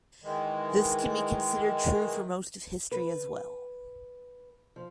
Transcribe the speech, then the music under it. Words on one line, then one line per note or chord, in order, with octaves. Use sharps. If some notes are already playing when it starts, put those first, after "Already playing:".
This can be considered true for most of history as well.
D#3 E3 G#3
B4
F3